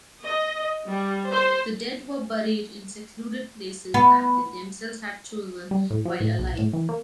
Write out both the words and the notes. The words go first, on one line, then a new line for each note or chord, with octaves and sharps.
The dead were buried in secluded places that they themselves had chosen while alive.
D#5
G3
C5
B3
G3
A2
F3
A2
B1
A2
E3
A#3